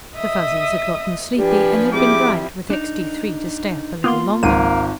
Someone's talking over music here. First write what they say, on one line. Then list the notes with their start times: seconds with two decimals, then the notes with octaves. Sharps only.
The Fuzzies had gotten sleepy, and had been bribed with Extee Three to stay up a little longer.
0.17 D#5 E5 D#6
1.37 F3 D4 G4 B4 G#5
1.93 G3 C4 E4 G#4 D6
2.70 D4 D#4
4.04 A#3 B3 F4 C6
4.43 G#1 C#2 A#3 D#7